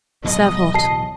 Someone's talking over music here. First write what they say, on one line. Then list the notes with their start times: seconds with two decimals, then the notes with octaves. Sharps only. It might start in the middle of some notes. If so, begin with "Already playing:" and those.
Serve hot.
0.24 D1 B1 G#2 B2 D#5
0.74 E3 F#3 A5 C7